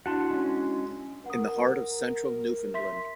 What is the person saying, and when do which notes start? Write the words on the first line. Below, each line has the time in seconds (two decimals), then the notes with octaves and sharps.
In the heart of central Newfoundland.
0.06 D4 E4 F#4 F#5 A5 C6
0.30 G#3 C#4
1.26 A#4 F#5 D#6
2.74 E5 C6 B6